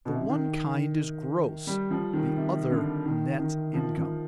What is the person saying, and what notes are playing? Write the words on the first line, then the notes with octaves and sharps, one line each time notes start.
The one kind is gross, the other net income.
B2
C3
D3
D#3
G3
F3
D#3
C3
D3
D#3
D#3
F3
F3